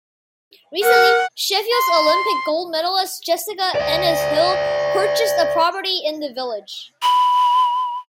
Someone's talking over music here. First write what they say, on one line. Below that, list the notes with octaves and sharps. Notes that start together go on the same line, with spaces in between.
Recently, Sheffield's Olympic gold medalist Jessica Ennis-Hill purchased a property in the village.
A#4 F#5
C6
D5 E5
B5